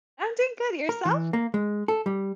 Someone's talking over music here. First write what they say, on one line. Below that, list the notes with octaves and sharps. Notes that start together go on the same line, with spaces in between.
I'm doing good, and yourself?
A#4
E3
A#3
G#3
A4
G3